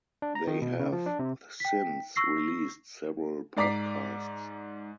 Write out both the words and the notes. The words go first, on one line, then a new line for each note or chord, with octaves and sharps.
They have since released several podcasts.
D4
A#5
D#3
B2
C#3
F3
D4
C3
G5 B6
C#6 E6 A#6 C7
G#2 D5 A#5 D6 B6 C7